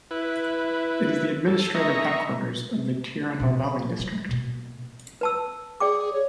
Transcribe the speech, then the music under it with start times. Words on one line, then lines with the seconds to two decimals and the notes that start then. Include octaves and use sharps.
It is the administrative headquarters of the Tirunelveli District.
0.11 E4 B4
1.47 A4
1.74 D#5 E5 A#5 C#6
3.40 B2 F3
3.99 D#3 F#3
4.29 B2 A#3
5.21 B4 A5 E6
5.80 G#4 D5 G5 D6
6.13 C#5